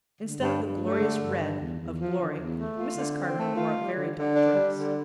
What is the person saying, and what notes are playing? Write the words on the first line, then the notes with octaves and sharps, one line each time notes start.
Instead of the glorious red of Glory, Mrs. Cardinal wore a very dull dress.
D3
G2
G2
A3
D3
G2
D3
E2
E2
F3
D3
E2
A3
F4
D3
C4
A3
F4
G3
D3
D3
D4
G3
D3